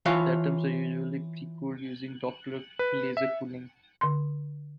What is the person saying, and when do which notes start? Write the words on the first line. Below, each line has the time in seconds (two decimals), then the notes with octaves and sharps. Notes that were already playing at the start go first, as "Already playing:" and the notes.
The atoms are usually precooled using the Doppler laser cooling.
0.05 E3 F4 C#5 F5
2.79 B4
3.17 E5
4.01 D3 C6